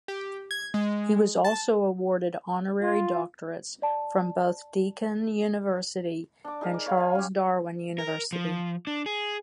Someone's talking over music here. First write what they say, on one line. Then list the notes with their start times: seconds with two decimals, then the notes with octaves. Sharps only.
He was also awarded Honorary Doctorates from both Deakin University and Charles Darwin University.
0.08 G4
0.51 G#6
0.74 G#3
1.45 A5
2.82 F4
3.82 D5 A5
6.44 D4 D6
6.61 D#4 G#4 A#4
6.74 D5
6.86 C#5 F5 B5
6.98 F5 G#5
7.15 C#4 G4
7.99 A#4
8.33 F3
8.87 D4
9.06 G#4